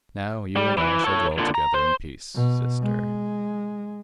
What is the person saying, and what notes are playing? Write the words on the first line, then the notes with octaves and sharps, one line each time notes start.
Now you and I shall dwell together in peace--sister.
G3
E3
A4 C#5
A#2 D3
A#5
C5
B2
G#3